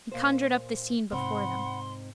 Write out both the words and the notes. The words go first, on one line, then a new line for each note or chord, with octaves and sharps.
He conjured up the scene before them.
A#2 C5
G#2 C3 C4 D#4 F#5 B5 C6